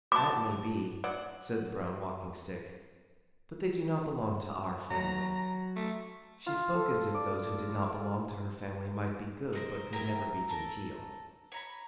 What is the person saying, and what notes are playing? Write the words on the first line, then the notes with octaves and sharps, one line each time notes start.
"That may be," said the Brown Walking-Stick, "but they do not belong to our family." She spoke as if those who did not belong to her family might be good but could never be genteel.
F#4 A5 D6
F#3 D5 F#5
F#3 A#5
A3
F4
A4
D5
D#4 A#4 C5
E4 A#4 G5 A#5
A4 A#4
C#5 A#5 B5